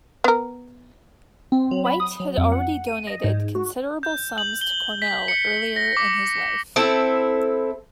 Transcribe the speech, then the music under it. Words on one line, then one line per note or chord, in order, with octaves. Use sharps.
White had already donated considerable sums to Cornell earlier in his life.
B3 A#4
C4
F#3
B5
D#6
F#3
F2
F#5
D#7
D#5
G#2
F#4
G6
F#7
G7
B6
C#7
A#6
D6
C4 E4 A4